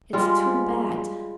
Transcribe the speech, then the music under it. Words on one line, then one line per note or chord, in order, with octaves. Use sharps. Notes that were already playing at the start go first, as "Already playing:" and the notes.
It's too bad!
G3 G#3 F4